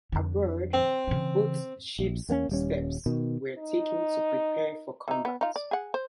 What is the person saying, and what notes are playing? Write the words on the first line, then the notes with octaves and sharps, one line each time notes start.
Aboard both ships steps were taken to prepare for combat.
F2 D3
C4
C#3 E3
A#1
E2 A#3 B3 C#4
D#1 G3 C#4
B2 D#3
D#4
E3 D#4
B3
D#4 F4
D5
G#4 F#5
C5